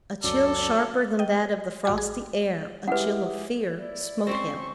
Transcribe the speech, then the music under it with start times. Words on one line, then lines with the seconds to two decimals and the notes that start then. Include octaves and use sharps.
A chill sharper than that of the frosty air--a chill of fear--smote him.
0.24 C#2 F#2 F#3 C#4 A4 D5
1.19 D#5 G5
1.85 A1 F#4 G#5
1.98 G#4
2.88 G#3 E4 G4 B4 F#5
3.76 E4 D5
4.27 C4 C#4 C5 C#6